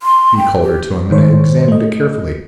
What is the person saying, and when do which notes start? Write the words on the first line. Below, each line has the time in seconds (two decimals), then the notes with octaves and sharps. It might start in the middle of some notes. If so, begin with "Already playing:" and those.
He called her to him and examined it carefully.
0.03 C6
0.37 G5
0.62 G4
1.10 G#2 D#3 C5 C#5
1.68 A3 D#5